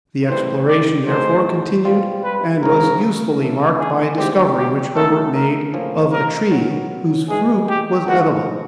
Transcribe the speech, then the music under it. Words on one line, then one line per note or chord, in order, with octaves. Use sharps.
The exploration, therefore, continued, and was usefully marked by a discovery which Herbert made of a tree whose fruit was edible.
B1 A2 E3 G3 C4 C5
D5
A2 F#3 B3 D#4 G#4 C5
B2 G3 C4 F4
B4
G#1 F#2 C#3 F3 A#4
C#3 E3 A3
G#4
D2 C3 E3 G#3 C4 G4
G4
A#2 F#3 A3 C#4 A4
A#4
A2 F3 A#3 C#4
A#4
A#2 F#3 B3
E2 B2 G#3 G#4
G4
D#3 G#3 B3 D4 F#4